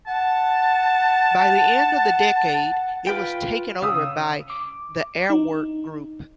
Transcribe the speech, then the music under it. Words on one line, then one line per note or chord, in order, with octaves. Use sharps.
By the end of the decade, it was taken over by the Airwork group.
F#5 A5
F4 B4 G5
C#3 D#6 E6
D6
D#4